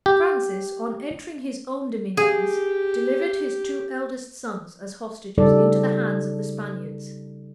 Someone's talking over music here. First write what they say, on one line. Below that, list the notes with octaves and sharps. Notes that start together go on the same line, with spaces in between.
Francis, on entering his own dominions, delivered his two eldest sons as hostages into the hands of the Spaniards.
G4
G4 G#4
C#3 G3 D#4 A4 D5